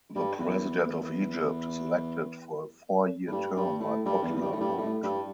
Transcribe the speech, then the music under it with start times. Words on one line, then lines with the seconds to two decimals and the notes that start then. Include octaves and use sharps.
The President of Egypt is elected for a four-year term by popular vote.
0.15 G2
0.39 E2
3.27 A2
3.32 G2
3.56 G2
3.80 A2
4.05 G2
4.23 E2
4.36 E2
4.41 G2
4.52 A2
4.60 G2
4.78 A2
5.03 G2